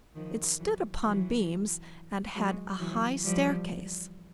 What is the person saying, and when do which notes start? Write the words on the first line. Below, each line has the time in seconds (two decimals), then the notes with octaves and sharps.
It stood upon beams, and had a high staircase.
0.15 D#3 F3
0.58 E3 F#3
1.03 E3 F#3
2.35 F#3 G#3
2.79 E3 F#3
3.23 F3 G3